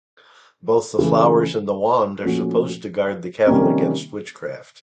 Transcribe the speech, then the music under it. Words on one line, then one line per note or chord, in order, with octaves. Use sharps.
Both the flowers and the wand are supposed to guard the cattle against witchcraft.
C#3 E3 A3
A#2 F3 A3 C#4 F#4
C3 D#3 G3 A#3 C#4